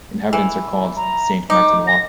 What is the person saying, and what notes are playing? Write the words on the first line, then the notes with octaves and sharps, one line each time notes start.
Inhabitants are called "Saint-Martinois".
E3
A#5
D#4 D6
A#6